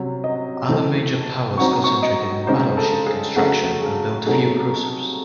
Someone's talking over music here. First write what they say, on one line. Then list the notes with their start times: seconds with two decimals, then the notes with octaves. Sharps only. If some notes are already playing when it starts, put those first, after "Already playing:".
Other major powers concentrated on battleship construction and built few cruisers.
Already playing: C3 F#3 C#4
0.24 D#5
0.69 E3 A3 C4
1.58 F#3 C4 D#4 C#6
1.84 C#6
2.03 D#5
2.47 C#3 G#3 C4 D#4 C5
2.77 A4
3.07 G#4
3.36 C#3 F#3 A3 F#4
3.82 G#4
4.26 C3 F#3 A3 D#4 G#4